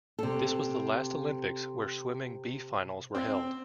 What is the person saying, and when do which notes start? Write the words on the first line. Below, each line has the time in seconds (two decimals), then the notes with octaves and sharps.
This was the last Olympics where swimming B-finals were held.
0.19 C3 A4
3.15 C4